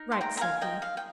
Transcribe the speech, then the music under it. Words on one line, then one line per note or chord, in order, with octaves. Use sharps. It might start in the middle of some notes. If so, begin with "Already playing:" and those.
"Write!" said he.
Already playing: D#4 A#4
C6
G5 A#5
A#5
F5 G#5
D#5 G5
F5
G5